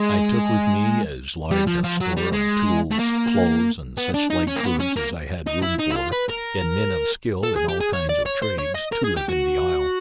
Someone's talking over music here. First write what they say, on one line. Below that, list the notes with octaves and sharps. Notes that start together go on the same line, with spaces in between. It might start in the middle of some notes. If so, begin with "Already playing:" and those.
I took with me as large a store of tools, clothes, and such like goods as I had room for, and men of skill in all kinds of trades, to live in the isle.
Already playing: G#3
G3
F3
F3
F#3
G3
G#3
A3
A#3
B3
D4
D#4
C#4
A#3
B3
C#4
A#3
D#4
E4
D#4
E4
F4
B4
A#4
A4
G#4
G4
G#4
C#5
D5
C#5
C5
C#5
D#5
A#4
G#4
G4
F#4